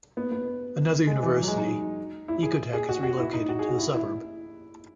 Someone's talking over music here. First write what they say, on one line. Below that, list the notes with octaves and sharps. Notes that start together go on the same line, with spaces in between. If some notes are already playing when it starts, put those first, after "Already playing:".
Another university, Ecotec has relocated to the suburb.
B3
B3
G#3
E3
F#3
G#3
D#4
E4
G#4
G#4
F#4
F#4
E4
D#4
F#4
G#4
F#4
E4
E4